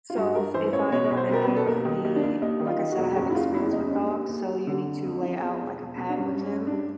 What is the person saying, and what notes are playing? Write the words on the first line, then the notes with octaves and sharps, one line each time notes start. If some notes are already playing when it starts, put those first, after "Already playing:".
So, if if I don't have the like I said, I have experience with dogs, so you need to lay out, like, a pad with him,
F4
G2 F#4
G2 A#4
E3 C5
A1 C#5
B2 C#5
B1
C5
B2 A#4
B4
B2
A4
D#2 A#4
D#3
D#2
D4
D#2
D#2 D#4
D#3
F4
D#3
F#4
E1
G4
F#1 F#4
E4
F#1 F4
E2 E4
F#1 D#4
C#4
D#2 D4
D#2
D#2
D#2
D3
F2
F2
F3
E2
E1
E1
B2
D4
G2 C#4
G2
C#4
G2
D4
G2